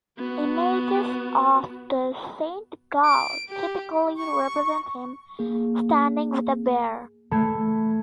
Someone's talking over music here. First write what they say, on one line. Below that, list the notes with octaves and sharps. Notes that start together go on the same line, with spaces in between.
Images of Saint Gall typically represent him standing with a bear.
B3 F#4
D7
G4
C#6
A#3 G#4
A3 A5 B5 G#6